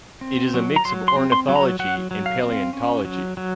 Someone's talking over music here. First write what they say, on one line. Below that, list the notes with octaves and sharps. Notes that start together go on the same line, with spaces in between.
It is a mix of ornithology and paleontology.
C4
F#3
A#5
F#3 C6
C6
C4
C6
F#3
A#5
F#3 F#5
F#3
F5
C4
C#4
F#3
F#3